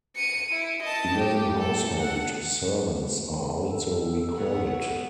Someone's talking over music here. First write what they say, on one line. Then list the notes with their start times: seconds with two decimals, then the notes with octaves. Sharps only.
Eleven household servants are also recorded.
0.16 C#7 D#7
0.52 E4
0.83 D#5 A5
1.16 G4
1.59 A4
2.00 F#5
3.67 A4
4.36 B3 C#5 F#5